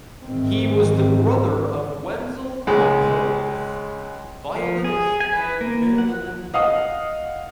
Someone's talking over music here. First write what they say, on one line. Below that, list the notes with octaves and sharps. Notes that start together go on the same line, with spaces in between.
He was the brother of Wenzel Krumpholz, violinist and mandolin player.
G#2 D#3 E3 C4
C#2 G#3
F3
G#4
G#5
B4
A#3
F#5
D#5 F5 F#5 D#6